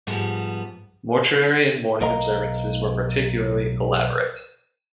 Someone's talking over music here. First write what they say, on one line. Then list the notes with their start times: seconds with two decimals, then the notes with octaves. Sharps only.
Mortuary and mourning observances were particularly elaborate.
0.07 G#2 F3 G3 B3 A5
2.01 B1 A#4 D#5 F5 A#5